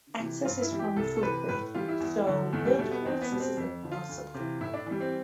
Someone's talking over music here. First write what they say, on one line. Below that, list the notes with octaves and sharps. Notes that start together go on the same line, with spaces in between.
Access is from a footbridge, so wheelchair access is impossible.
C3 E3
G2 F4
E4
E3 G3
G4
C2 A4
A4
C3 E3 B4
A2 B4
E3 G3 F4
E4
E2
D3 F3
E2 A3
G3
B2 G3 A3
B3
E2 C4
B3
B2 G3
C4
F2
D3 F3
F4
D2
C3 E3
A2 E4
D4
E3 G3
C4